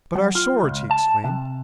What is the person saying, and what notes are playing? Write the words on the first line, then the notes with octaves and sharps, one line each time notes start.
"But our swords!" he exclaimed.
F#3
F4
C#2
A5
C3